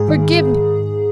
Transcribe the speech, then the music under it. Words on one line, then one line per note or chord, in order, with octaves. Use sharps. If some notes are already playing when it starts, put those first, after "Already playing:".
Forgive me!
Already playing: G#2 G#4
D#3
G#2